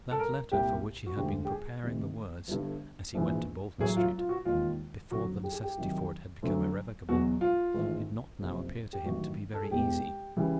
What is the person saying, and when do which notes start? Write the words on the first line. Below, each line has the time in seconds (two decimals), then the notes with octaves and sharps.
That letter for which he had been preparing the words as he went to Bolton Street, before the necessity for it had become irrevocable, did not now appear to him to be very easy.
0.11 A4
0.19 A#4
0.52 C2 A#2 G3 G4
1.06 F#4
1.17 E1 D2 D3 G4
1.45 G4
1.51 G#4
1.83 D2 C3 D#3
2.48 G1 G2 D3
3.14 A#1 G#2 E3
3.79 A1 A2 F#3 G#4
3.97 F4
4.18 F4
4.29 F#4
4.45 E1 D#2 D#3 F4
5.11 F#1 F2 D3 F#3 F#4
5.44 G4
5.53 G#4
5.63 G4
5.77 C2 C3 D#3 F#3
6.42 D2 D3 F#3
7.09 E2 B2 F#3 F#4
7.41 F4
7.74 A1 G#2 D#3
8.40 F#1 F2 C3
8.93 G4
9.05 A1 G2 D#3 F#3 F#4
9.54 A4
9.63 G#4
9.71 E1 E2 B2 G#3 G4
10.37 C#3 E3 G3